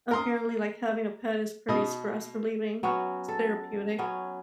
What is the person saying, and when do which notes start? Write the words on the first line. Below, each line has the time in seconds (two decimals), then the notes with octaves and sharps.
apparently, like, having a pet is pretty stress relieving. It's therapeutic.
0.11 A#4 C6 D#6
1.68 B2 D#5 D#6
2.83 F#3 B3 C#4 F#4
3.28 A4
3.98 F#3 B3 C#4